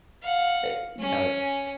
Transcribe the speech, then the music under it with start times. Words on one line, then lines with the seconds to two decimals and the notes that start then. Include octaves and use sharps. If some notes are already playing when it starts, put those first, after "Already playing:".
uh, you know, it
0.22 F5 F#5
1.00 C#4 G#5